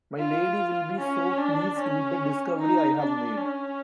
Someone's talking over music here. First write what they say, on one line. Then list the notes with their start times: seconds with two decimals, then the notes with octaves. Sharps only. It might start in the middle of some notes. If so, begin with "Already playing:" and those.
My lady will be so pleased with the discovery I have made.
0.18 F4
0.99 C#4
1.38 D4
1.79 C#4
2.59 D#4
2.99 D4
3.38 C#4